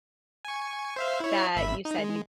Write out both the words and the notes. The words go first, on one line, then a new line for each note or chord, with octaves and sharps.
that you said you
G#5 C#6
C5 E5 F5
E4 C#5
G#1 E5 B5
D#4
G#3